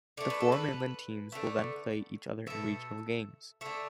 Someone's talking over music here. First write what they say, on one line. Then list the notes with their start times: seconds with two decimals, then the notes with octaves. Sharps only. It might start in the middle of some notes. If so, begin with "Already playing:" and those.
The four mainland teams will then play each other in regional games.
0.17 D3 A3 D5
0.30 B4
0.40 A4
0.52 B4
1.32 D3 A3
2.47 B2 A3 E5
3.61 D3 A3 E5